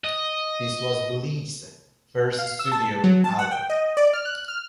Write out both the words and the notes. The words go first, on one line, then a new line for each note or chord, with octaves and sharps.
This was Bleach's first studio album.
D#5
F5
E6
A5
F#3
A5
F#5
G5
D#5
D5
F6
F#6
F6